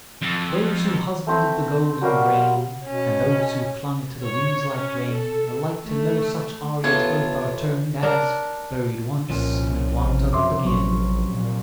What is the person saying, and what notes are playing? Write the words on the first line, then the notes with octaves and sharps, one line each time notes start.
And those who husbanded the Golden Grain, And those who flung it to the Winds like Rain, Alike to no such aureate Earth are turn'd As, buried once, Men want dug up again.
F2
A3 C4 A#5 B5
F#3 G3 A#4 F5
B2 C#4
C#5
C#4
A4
A3
A1 B3 F4 A4 G#6
D4 A#4
C2 A#2 F3 C#4
A1 C3
F#2 E5 C6 D6
A1 F#3 C6 C#6
A#2